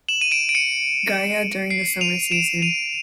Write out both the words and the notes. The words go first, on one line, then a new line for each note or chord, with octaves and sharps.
Gaya during the summer season.
E7 F#7
D#7
D7 E7
D7
C#7 D#7
C7 D7
D#7 F7
D7 E7
D#7 F7